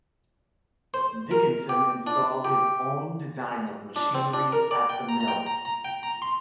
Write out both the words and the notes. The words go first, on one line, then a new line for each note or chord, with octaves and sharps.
Dickinson installed his own design of machinery at the mill.
C5
A#4
G4
D4
G4
D4
C4
D4
A#4
D5
G5
A#5
A#5
G5
A#5
A#5
G5
A#5
C6